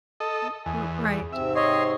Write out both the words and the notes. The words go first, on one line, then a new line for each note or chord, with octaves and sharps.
R r right.
A4 D#5
E2 G#5
G#4
G#2 C3 C4 E5
C#5 D#5 C6